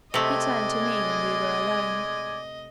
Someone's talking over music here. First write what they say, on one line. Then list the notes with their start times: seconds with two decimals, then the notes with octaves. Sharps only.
He turned to me when we were alone.
0.14 C3 G#3 A3 D5 D#5 G#5